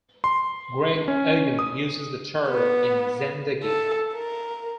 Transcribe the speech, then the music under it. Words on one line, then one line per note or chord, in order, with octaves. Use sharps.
Greg Egan uses the term in "Zendegi".
C6
C#4
D#6
B3
A4
A#4